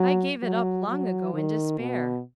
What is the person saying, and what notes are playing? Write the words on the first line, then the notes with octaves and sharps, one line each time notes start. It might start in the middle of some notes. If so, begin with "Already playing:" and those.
"I gave it up long ago in despair."
Already playing: F#3
F#3
F#3
D#3
B2